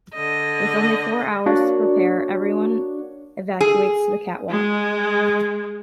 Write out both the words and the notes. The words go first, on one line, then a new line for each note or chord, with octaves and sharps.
With only four hours to prepare, everyone evacuates to the catwalk.
D3 D#5
A#3 D4 F#4 C#5
G#4
G#3